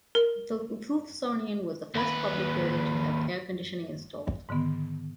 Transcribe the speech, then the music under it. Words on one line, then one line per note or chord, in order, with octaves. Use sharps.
The Wolfsonian was the first public building to have air conditioning installed.
A#4
D#2 B4
G#2 D3 D#3 B3